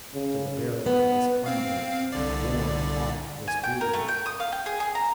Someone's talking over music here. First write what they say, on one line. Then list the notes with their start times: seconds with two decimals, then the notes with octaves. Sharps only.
So the barrow was plundered, borne off was booty.
0.15 C#3
0.86 B3
1.46 C4 F5
2.12 C2 D3 D5
3.48 G#5
3.64 G5
3.81 A#4
3.93 A3
4.08 G5
4.26 D#6
4.40 F5
4.52 G5
4.66 G#4
4.80 G#4
4.95 A#5